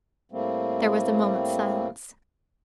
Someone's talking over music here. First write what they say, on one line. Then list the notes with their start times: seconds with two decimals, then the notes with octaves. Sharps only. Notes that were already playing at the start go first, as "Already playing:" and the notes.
There was a moment's silence.
0.32 A2 G3 A3 A#3 C4